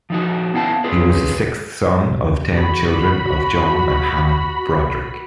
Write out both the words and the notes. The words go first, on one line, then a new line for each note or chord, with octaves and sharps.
He was the sixth son of ten children of John and Hannah Brodrick.
F3 D#4 F#4
B3 E4 F5 G#5 A5
F4 G#4 B4
F#4 B5